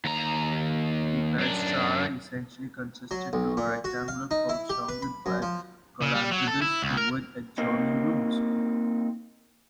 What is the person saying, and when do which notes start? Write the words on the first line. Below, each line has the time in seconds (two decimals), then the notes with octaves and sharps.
The palaestra essentially consisted of a rectangular court surrounded by colonnades with adjoining rooms.
0.05 D#2 A#5
1.39 F#2 D4
3.11 F#3
3.33 B1
3.57 A#2
3.84 F#4
4.08 F5
4.31 D#4
4.49 E4
4.70 G4
4.89 B4
5.02 B5
5.26 F#2
5.42 F3
6.01 C#3
6.14 G3
6.31 F#3
6.47 A4
6.62 E4
6.82 C#2
6.97 A#4
7.58 A#3 C4 D#4